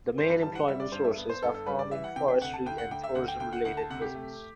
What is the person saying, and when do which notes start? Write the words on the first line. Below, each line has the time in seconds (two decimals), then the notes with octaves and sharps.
The main employment sources are farming, forestry and tourism-related business.
0.18 G2 C5
0.30 B4
0.42 G3 A5
0.55 F#5
0.68 G3 E5
0.80 D5
0.92 G2 C5
1.04 E5
1.17 B3
1.29 C5
1.42 G2 A4
1.54 A4
1.66 G3 B4
1.79 D5
1.91 E3 E5
2.04 F#5
2.16 C3 G5
2.28 G5
2.41 D2 F#5
2.54 A5
2.66 D2 G5
2.78 F#5
2.91 D2 G5
3.04 E5
3.15 D2 F#5
3.28 G5
3.40 D2 G5
3.53 F#5
3.65 D2 F#5
3.77 A5
3.90 C3 F#5
4.02 G4
4.15 A3